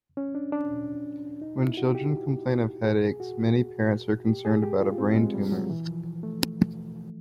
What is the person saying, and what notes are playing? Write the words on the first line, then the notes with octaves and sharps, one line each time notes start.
When children complain of headaches, many parents are concerned about a brain tumor.
C#4
D4
D4
D#4
E4
F#4
G4
G#4
F#4
G4
G#4
G4
F4
C4
G#3
G3
F#3
E3
F3
A3